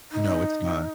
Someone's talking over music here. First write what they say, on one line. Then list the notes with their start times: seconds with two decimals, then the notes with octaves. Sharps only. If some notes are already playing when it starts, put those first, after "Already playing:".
No, it's not.
0.12 D#4